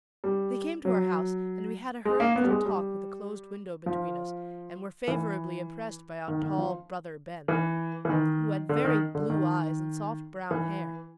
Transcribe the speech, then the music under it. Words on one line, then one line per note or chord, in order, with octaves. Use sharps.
They came to our house, and we had a hurried little talk with a closed window between us, and were favorably impressed by our tall "Brother Ben," who had very blue eyes and soft brown hair.
G3
F#3
G#3
A#3
B3
G3
G#3
G3
F3
E3
D#3
D#3
F3
E3
E3
D#3
D3
D#3
D3
D#3
E3